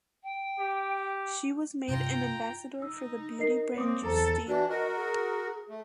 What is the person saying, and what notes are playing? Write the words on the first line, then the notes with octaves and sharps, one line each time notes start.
She was made an ambassador for the beauty brand Justine.
G5
G4
G2 C3 G3 D#4 F4 G5 A#5
D#4 E6
A#4 D#5 C7
A#3 C4 C#5 D6 D#6
E2 A4 C5 A#5
E3 D4 F#4
F#4 A#4 D#5
G#4
A3